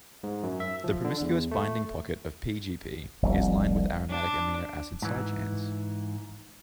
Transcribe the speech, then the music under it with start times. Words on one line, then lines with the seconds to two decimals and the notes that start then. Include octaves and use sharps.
The promiscuous binding pocket of P-gp is lined with aromatic amino acid side chains.
0.23 G#2
0.43 F#2
0.60 E5
0.84 F3
1.04 D3
1.22 E2
1.51 A3
3.22 F1 C2
4.09 D4
5.02 G#2 E3